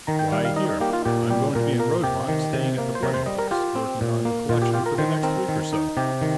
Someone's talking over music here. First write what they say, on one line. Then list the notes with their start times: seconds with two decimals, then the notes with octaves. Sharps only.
Why, here; I'm going to be in Rosemont, staying at the Fleming place, working on the collection, for the next week or so.
0.07 D#3 A#5
0.19 G5
0.32 G3 F5
0.45 F5
0.56 D#4 D#5
0.69 D#5
0.81 A#3 G4
0.93 F4
1.05 A#2 G4
1.30 G3 G4
1.55 A#2 A#4
1.79 A#3 A#4
2.04 C3 G4
2.29 D#3
2.53 C3
2.78 A#3
2.95 C5
3.03 C3 A#4
3.14 C5
3.26 G3 D#5
3.38 A#4
3.51 F4 G4
3.75 C4
4.01 A#2
4.25 A#3
4.49 A#2 F4
4.62 G4
4.74 F4 G4
4.86 A#4
4.98 D#3 C5
5.23 C4 A#4
5.48 D#3
5.73 D#4
5.97 C3 G4
6.21 D#3